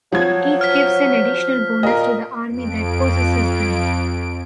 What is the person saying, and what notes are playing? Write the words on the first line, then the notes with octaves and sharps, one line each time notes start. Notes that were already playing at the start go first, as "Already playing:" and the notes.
Each gives an additional bonus to the army that possesses them.
F3 F#3 G#6
C5 F6 B6
A#2 A#4 D#5
F2 D7